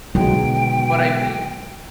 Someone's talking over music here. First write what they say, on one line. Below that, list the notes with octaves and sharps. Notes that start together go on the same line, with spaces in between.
But I think
B2 D3 D#3 F#3 G#3 D#4 G5